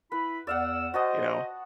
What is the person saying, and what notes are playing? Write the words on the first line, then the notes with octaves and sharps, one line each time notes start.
you know,
E4 B4 B5
E2 D5 F5 F#5 E6
F#4 C5 D#5 A5 D#6